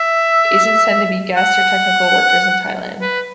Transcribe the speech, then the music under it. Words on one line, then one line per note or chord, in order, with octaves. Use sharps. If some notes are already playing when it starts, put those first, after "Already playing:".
Asians tend to be guest or technical workers in Thailand.
Already playing: E5
F#5
B4